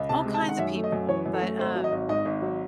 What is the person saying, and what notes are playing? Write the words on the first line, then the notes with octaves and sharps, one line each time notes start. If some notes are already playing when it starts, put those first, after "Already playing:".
all kinds of people, but, um,
Already playing: C#2
C3 A5
G#3
A5
D#3
F#5
F#2 E5
A3
D#5
F#2
E3 C#5
F#2
A4
A3
G#1 C5
F#3
D#5
G#1
G#2 D#5
G#1
F#3